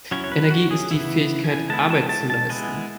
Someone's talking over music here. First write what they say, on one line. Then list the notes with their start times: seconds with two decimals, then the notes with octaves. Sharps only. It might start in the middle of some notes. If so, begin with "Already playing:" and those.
Energie ist die Fähigkeit Arbeit zu leisten.
0.11 F#3 C#4 E4 C#5
0.24 C#5
0.32 B4
0.51 F#4
0.71 G#4
0.91 C#3 E3 B3 E4 E5
1.44 G#5
1.70 G#3 B3 E4 A5
1.90 A5
2.09 A5
2.30 A5
2.49 G#3 B3 E4 G#5